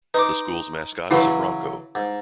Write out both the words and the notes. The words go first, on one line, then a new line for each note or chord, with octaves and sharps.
The school's mascot is a Bronco.
D#4 B4 C6 D6
C#3 E3 F#3 E4 B4
G#2